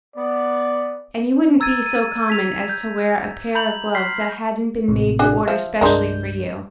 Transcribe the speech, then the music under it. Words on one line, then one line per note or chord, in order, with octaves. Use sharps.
And you wouldn't be so common as to wear a pair of gloves that hadn't been made to order specially for you.
B3 D5
A#5 E6 G#6 A6 D#7
D#7
G#6 B6 F7
G6
A#5 B5 G6 F7 F#7
C6 F6 B6 C7
A1 A2 C3
D4 F#4 G#4
F3 E5
C2 G2 G#3 D4 A#4 G6